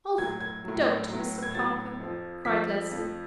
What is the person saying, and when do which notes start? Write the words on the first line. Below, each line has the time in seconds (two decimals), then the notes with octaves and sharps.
"Oh, don't, Mr. Parker," cried Leslie.
0.18 F#3 G#6
0.22 A2
0.41 G#6
0.64 A2 F#3
1.09 A2 F#3
1.43 G#6
1.55 A2 F#3 A6
2.00 F2 F3
2.45 F2 F3 B6
2.91 F2 F3